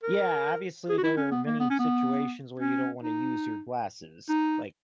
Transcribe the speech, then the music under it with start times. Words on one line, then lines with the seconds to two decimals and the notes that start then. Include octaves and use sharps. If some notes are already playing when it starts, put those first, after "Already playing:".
yeah, obviously there are many situations where you don't wanna use your glasses, like
0.03 A#4
0.89 G#4
0.98 F#4
1.04 E4
1.17 C#4
1.31 B3
1.46 A#3
1.60 B3
1.70 C#4
1.79 B3
2.60 C#4
3.02 D#4
4.29 D#4